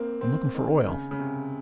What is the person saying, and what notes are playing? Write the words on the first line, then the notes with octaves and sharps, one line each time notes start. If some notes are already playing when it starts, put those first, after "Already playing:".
I'm looking for oil.
Already playing: A#3 C4
C4
D#3
C#3
C#3
C3